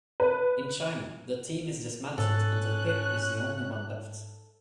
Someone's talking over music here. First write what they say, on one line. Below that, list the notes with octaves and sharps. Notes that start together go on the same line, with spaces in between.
In China, the team is dismantled until Pip is the only one left.
B4
G#2 C#4 A4 F#6